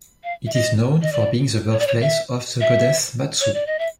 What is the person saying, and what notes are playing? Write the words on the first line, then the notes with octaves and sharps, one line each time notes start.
It is known for being the birthplace of the goddess Matsu.
F5
E5
D#5
D#5
D5
C#5
D5
C#5
E5
E5
C#5
D5
D#5
E5